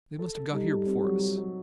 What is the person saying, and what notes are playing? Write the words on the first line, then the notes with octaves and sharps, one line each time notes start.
"They must have got here before us."
A4
A4
G3 D#4
A4
C4
F#3
F#3
F#3